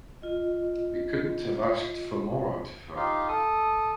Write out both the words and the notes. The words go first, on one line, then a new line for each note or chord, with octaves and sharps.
We couldn’t have asked for more out of her.
F4 D#5
D#4 F4 G4 F5
A4 D#6